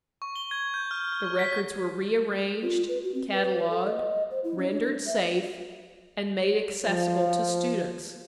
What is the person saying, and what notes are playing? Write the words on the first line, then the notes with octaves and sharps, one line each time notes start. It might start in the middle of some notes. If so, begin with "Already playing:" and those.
The records were rearranged, catalogued, rendered safe, and made accessible to students.
C#6
G7
G#6
G6
F6
F6
C#6
B6
F4
B4
F#4
C4
B4
A4
D#5
C5
E4
C#4
D4
E5
F3